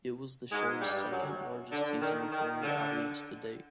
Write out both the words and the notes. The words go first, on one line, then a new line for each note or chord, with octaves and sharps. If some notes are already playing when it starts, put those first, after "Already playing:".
It was the show's second largest season premiere audience to date.
G#2 G#3
G2 G3
F#2 F#3
D3
D#3
D#3
D3